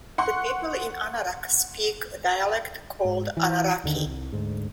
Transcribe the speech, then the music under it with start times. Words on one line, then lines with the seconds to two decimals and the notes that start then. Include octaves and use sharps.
The people in Anarak speak a dialect called Anaraki.
0.18 F#5 C6 C#6 F#6
3.05 G#2
3.37 E3
3.84 D#2 D3 D#3
4.05 C2
4.32 D2 G#2